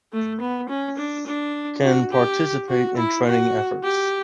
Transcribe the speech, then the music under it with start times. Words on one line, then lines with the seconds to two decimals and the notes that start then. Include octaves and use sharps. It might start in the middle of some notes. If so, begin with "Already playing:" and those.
Can participate in training efforts.
0.13 A3
0.41 B3
0.69 C#4
0.98 D4
1.27 D4
1.83 F#4
2.12 G4
2.69 F#4
2.97 E4
3.27 F#4
3.83 G4